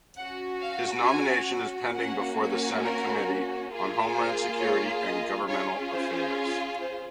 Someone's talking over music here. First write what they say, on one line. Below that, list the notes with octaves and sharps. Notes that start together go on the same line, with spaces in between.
His nomination is pending before the Senate Committee on Homeland Security and Governmental Affairs.
C#4 F#5
F#4
F5
G#5
A#3 C#4 F#4 F#5
A#4
A#3 F4 G#4
C5
C#5
D#5
C#4 F4 G#4 C#5
C5
C5